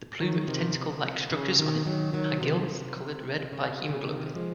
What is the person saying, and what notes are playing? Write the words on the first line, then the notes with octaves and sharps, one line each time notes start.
The plume of tentacle-like structures on it are gills, coloured red by haemoglobin.
D#3 F#3
C3 D#3
C3
C#3
C3 D#3
D#3 F#3
D#3 F#3
C3 D#3
C3
C#3
C3
C#3
C3 D#3
F3 G#3